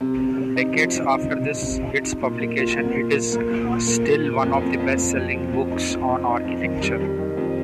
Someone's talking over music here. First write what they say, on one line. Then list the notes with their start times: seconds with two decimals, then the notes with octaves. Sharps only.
Decades after its publication, it is still one of the best-selling books on architecture.
0.01 C3
0.19 C3
0.37 C3
0.56 D#4
0.74 F3
0.92 D#4
1.11 D#4
1.29 C3
1.48 C3
1.66 C3
1.85 C3
2.03 D#4
2.21 A#2
2.40 A#3
2.58 F4
2.77 A#3
2.95 A#2
3.14 A#3
3.32 A#3
3.51 A#2
3.69 A#2
3.87 A#3
4.06 A#2
4.24 A#3
4.43 F2
4.61 F2
4.80 F2
4.97 F2
5.16 F2
5.34 F3
5.53 F2
5.72 D#4
5.90 F2
6.08 F2
6.26 D#4
6.45 F2
6.64 D#3
6.82 G3
7.00 G3
7.19 D#3
7.37 F2